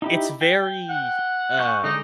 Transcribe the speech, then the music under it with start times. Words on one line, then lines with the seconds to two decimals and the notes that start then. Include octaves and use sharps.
It's very, uh,
0.02 D#4 E4 G4
0.41 G5
0.90 F#5
1.59 G#5 C#6 G6
1.84 D3 G#3 D#4 D6